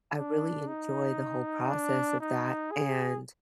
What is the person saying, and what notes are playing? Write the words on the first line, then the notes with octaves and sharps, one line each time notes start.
I really enjoy the whole process of that, and
D4
D#4
D4
D#4
G#4